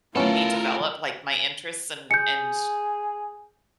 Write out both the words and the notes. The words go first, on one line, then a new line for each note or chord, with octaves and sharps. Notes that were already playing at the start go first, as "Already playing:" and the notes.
me develop like my interests and and
A3 B3 C#4 E4 F4 A4 A#4
G#4 G6 C#7